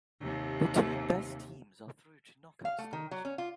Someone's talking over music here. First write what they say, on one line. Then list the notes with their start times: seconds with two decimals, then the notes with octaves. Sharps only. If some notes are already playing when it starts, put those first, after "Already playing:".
The two best teams are through to knockout stage.
0.21 D#2 C3
2.65 F5
2.78 A3
2.93 D#3
3.11 F#3
3.25 C#4
3.38 F4